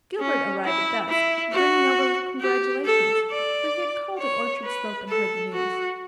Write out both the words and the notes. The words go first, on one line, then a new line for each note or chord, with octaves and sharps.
Gilbert arrived at dusk, brimming over with congratulations, for he had called at Orchard Slope and heard the news.
C#4
E4
E4
F#4
G4
A4
D5
C#5
B4
A4
F#4